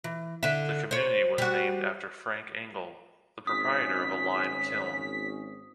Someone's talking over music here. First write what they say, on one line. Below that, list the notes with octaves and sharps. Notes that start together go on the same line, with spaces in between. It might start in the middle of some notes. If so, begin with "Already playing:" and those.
The community was named after Frank Engle, the proprietor of a lime kiln.
E3
D3 E5
C5 C#5
G3 F#4
G#1 C#4 D#6 B6